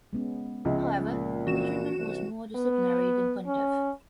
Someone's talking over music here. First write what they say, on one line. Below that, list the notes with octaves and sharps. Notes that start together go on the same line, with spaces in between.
However, the treatment was more disciplinary than punitive.
G#3 B3 C#4
C#2 F3 G#3 E5
A#2
E3 C4 C#4 F#4 E7
C2
B3
C#4